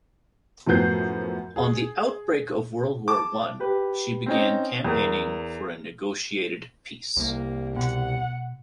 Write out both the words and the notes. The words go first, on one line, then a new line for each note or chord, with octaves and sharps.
On the outbreak of World War One, she began campaigning for a negotiated peace.
F#2 A2 F3 B3 G6 C7
G#4
A5 D6
G4 B4
C4 C#4 D#4
E2 A#4
C2 A#3
B2 F#5